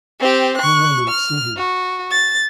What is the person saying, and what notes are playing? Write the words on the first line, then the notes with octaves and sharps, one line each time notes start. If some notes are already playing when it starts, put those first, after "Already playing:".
You will not see him.
C4 G4
C#6 F#6
F6
F#4
A6